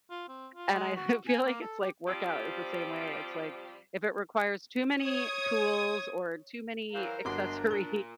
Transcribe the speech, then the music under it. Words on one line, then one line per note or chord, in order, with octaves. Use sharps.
And I I feel like, it's, like workout is the same way, it's, like if it requires too many tools, or too many accessories
F4
C4
F4
G#3
F#4
G#5
A#3
A4
G4
F3 G3 C4 F4 G4
C#5 D#6 G#6
E3 F#3 A#4 C5 F5
G1 G#3 D4 F#4 C6 D6
A#2 G7